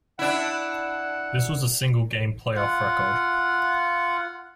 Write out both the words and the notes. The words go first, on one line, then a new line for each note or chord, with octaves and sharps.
This was a single game playoff record.
D4 E4 F#5
F4 F#5